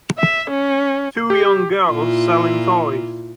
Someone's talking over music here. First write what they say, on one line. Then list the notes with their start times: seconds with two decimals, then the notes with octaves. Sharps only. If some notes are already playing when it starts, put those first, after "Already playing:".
Two young girls selling toys.
0.19 E5
0.50 C#4
1.30 G4
1.87 A#2 E4 F4